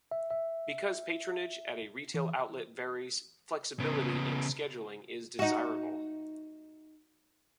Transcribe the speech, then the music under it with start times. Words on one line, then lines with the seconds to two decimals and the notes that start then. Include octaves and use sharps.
Because patronage at a retail outlet varies, flexibility in scheduling is desirable.
0.11 E5
0.31 E5
2.14 E3
3.80 C#3 B3
5.39 D#4 F#4